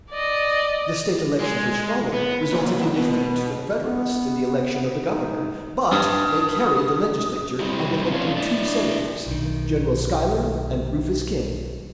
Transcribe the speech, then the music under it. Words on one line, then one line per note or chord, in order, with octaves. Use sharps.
The state elections which followed resulted in defeat for the Federalists in the election of the governor, but they carried the legislature and elected two senators,--General Schuyler and Rufus King.
D5 D#5
G#3
B3
B1 A#2
B2
B3
D#4
G2 D#6
F#3 G3 C4 E4
C#3 F3 A3 C#4 D4 F4
D4 E4 D5
B1 D#3